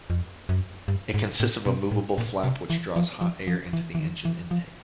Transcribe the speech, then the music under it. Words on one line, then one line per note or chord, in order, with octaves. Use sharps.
It consists of a moveable flap which draws hot air into the engine intake.
F2
F#2
G2
G#2
A2
B2
A2
A#2
C3
E3
F3
F3
F3
E3
E3
D#3
E3
F3